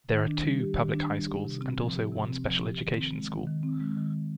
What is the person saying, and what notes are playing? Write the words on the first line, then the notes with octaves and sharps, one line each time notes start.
There are two public high schools, and also one special education school.
D#3
D4
G3
G4
D#3
D4
G3
G4
C3
C4
F3
G4
C3
C4
F3
G4
D#3
C4
G#3
D#3
D#3
C4
G#3
D#3